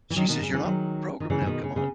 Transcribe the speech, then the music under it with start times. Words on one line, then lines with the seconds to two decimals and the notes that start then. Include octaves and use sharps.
She says, "You're not programmed now, come on.
0.10 E3
0.16 D#3 F#3
0.28 B2 D#3
0.42 C#3
0.49 F#3
0.53 C#3 E3
0.65 D#3 F#3
1.20 D#3
1.30 C#3 E3
1.42 E3
1.46 B2 D#3
1.64 C#3
1.76 C#3